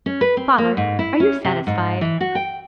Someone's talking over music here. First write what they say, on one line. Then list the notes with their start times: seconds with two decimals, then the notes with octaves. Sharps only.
"Father, are you satisfied?"
0.06 C#4
0.21 B4
0.37 C4
0.58 A#3
0.77 G#2
0.99 E4
1.20 C#4
1.44 C3
1.67 G#2
2.01 E3
2.21 F#4
2.35 G5